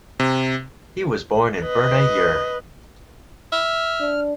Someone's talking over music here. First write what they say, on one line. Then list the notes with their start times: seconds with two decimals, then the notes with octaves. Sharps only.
He was born in Bernay, Eure.
0.20 C3
1.63 B4 D#5
3.52 E5 F6
4.01 D4